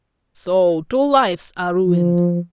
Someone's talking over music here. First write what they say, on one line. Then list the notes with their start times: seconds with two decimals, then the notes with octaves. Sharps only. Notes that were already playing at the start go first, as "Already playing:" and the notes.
So two lives are ruined!
1.86 F3